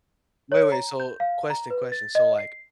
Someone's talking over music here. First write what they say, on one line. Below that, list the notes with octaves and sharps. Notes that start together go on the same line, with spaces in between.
Wait, wait, so question, question, so, like
C#5
A#5
G6
F5
A#5
B4
A6
D#5
C7